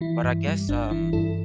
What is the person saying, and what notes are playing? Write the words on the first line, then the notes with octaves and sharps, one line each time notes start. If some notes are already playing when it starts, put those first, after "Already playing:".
But I guess, um
E3 E4
G2
G3
G1 D4
E3 E4
G2 E4 A4